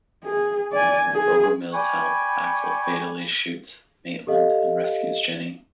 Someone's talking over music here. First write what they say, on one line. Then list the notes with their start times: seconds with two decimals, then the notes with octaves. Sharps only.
With Bogomil's help, Axel fatally shoots Maitland and rescues Jenny.
0.24 G#4
0.72 D5 G#5
1.12 G#4
1.74 D5 G5 G#5 B5 C#6
4.27 G4 A4 D#5 F5